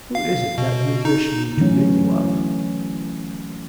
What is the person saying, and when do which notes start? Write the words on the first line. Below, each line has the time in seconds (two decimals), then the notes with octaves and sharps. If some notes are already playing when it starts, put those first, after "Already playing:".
Who is it that you wish me to rid you of?'
0.15 F5
0.58 B2
1.05 D#4
1.57 D3 E3 F#3 A3 C#4